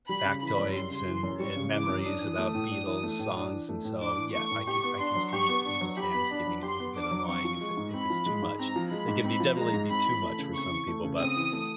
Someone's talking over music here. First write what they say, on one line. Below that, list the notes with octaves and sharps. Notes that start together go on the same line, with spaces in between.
factoids and and memories about Beatles songs, and so, yeah, I can I can see Beatles fans getting a little bit annoying if it if it's too much. It can be definitely be too much for some people, but,
G3 B5
C#3
E3 B5
F#2
G3 C6
C#3
E3
F#2
G3 C#6
C#3
E3 D6
F#2
D4 D#6
E3
A3
A2
D4
E3
A3
A2
D4
E3
A3
A2
D4 D6
E3
A3 C#6
A2
G4 C#6
B3
D4 C6
F#3
G4 C#6
B3
D4
F#3
G4 B5
B3
D4
F#3
G4 C6
B3
D4 D6
F#3
C4 C#6
F3
G#3
G#2
C4 B5
F3
G#3
G#2
C4 A#5
F3
G#3 B5
G#2
C4 B5
F3
G#3 A#5
G#2
C4 B5
E3
A3
C#3
C4 C#6
E3
A3
C#3
C4 D#6
E3
A3